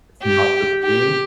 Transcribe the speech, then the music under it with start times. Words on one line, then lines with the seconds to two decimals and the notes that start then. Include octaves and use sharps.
not just me."
0.23 G4
0.84 G4